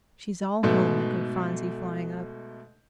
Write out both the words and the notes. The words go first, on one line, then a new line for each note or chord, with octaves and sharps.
"She's all home," echoed Phronsie, flying up.
G#2 B2 A3